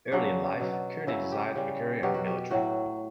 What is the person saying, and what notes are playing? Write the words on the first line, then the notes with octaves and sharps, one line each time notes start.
Early in life, Kearny desired a career in the military.
C#3 F#3 D4
B2 F#3
C#3 F#3 E4
G4
C#3 G3
B2 F#3 G4
F#4
G4
A2 F#3 F#4